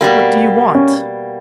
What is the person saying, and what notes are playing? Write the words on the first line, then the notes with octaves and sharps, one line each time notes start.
"What do you want?"
B2 G3 A#3
C#4